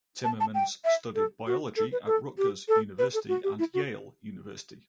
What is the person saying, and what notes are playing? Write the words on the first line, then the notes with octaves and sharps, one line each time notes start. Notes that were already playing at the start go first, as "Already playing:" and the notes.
Timmermans studied biology at Rutgers University and Yale University.
A5
A5
G5
E5
A4
F#4
A4
B4
A4
G4
A4
B4
A4
F#4
G4
E4
F#4